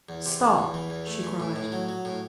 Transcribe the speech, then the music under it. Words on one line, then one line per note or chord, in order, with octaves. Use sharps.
"Stop!" she cried.
E2
C3
E2
E2
E3
E2
A3
E3
A2
A2
F#3
F#3
A2